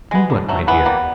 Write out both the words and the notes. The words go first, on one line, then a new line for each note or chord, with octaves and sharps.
"Knew what, my dear?"
G#3 B3
D3
F#3 A3
E3 B3
G3 A#3